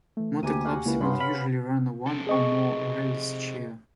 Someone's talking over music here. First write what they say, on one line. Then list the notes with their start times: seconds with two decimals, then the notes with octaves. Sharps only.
Motor Clubs will usually run one or more rallies each year.
0.17 E3 A3
0.43 D2 A#3 G4 G#5 A#5 D#7
0.64 F#4 F5 F#5
0.86 C#2 A#3 E4 B4
1.01 G2 B3 C#5 B5 C6
1.20 F5 B5
2.07 C3 A4
2.27 G#4 D#5 C#6